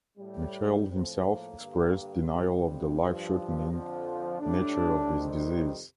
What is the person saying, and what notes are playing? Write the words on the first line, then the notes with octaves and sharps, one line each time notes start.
Michel himself expressed denial of the life-shortening nature of his disease.
A2 G3
A2 F3 C4
A#3
G2 D3 G3
F2 C3 G3
G2 F3
F2 D3 F3
A2 G3 D4
F2 C3 D#3 G3